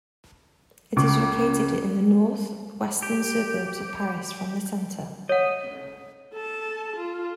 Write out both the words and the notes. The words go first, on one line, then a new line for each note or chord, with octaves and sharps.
It is located in the north-western suburbs of Paris from the center.
C#2 C#3 D6
G4
C#5 D#5 F#5
A4 A5
F4